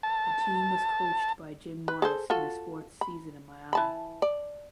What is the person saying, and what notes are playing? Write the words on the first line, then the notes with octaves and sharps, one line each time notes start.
The team was coached by Jim Morris in his fourth season at Miami.
A5
B4
G#4 A4 C5
F4 F#4 A4
B5
E3 A5 B5
D5